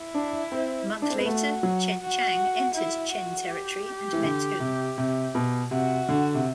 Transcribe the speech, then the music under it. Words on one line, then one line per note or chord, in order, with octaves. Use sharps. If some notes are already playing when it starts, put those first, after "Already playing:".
A month later, Chen Chang entered Chen territory and met Hou.
Already playing: E4
D4
C4
D4
C4
B3
A3 F#4
F#3
F#4
E4
F#4
G4
E3
D3
C3
C3
B2
C3 F#4
D3
C3